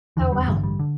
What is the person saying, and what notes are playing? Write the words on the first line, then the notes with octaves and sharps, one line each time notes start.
Oh, wow.
F1 E2 D3 E3
G3
A1 G2 D3 G3
G3
D3